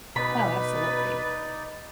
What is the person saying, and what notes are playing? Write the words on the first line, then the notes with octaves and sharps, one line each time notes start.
Oh, absolutely,
B2 D#4 B4 D5 B5